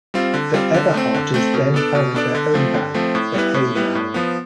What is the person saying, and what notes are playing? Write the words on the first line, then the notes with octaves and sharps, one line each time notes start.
The Eberharters then founded their own band, the Hey Mann!
G3 C4 F4
D3
G3 C4 F4
D3
A3 C4
D3
A3 C4
B2
B3 D4 A4 D5
B2
B3 D4 A4 D5
D3
F3 A3 C4
D3
F3 A3 C4
A2
G3 B3 E4 B4
A2
G3 B3 E4 B4
A2
F3 B3